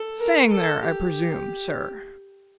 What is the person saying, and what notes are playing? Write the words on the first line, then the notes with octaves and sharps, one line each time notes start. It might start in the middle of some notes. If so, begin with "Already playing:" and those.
'Staying there, I presume, sir?'
Already playing: A4
A#4
A4
G4